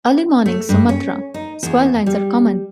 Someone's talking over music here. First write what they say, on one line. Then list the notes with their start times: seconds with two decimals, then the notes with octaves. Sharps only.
Early morning "Sumatra" squall lines are common.
0.46 A3
0.69 G2
0.89 C#4
1.34 D#4
1.63 E2
2.06 G3